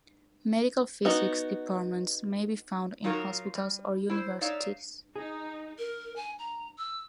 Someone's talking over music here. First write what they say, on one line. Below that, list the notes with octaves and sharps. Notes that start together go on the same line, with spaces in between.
Medical physics departments may be found in hospitals or universities.
B3 D#4 F#4
F#3 D#4 F4 F#4 A#4 C#5
G3
E4 C5
D#4 C#5 D5 E5 F5
D#4 G#4
A#4
G#5
A#5
E6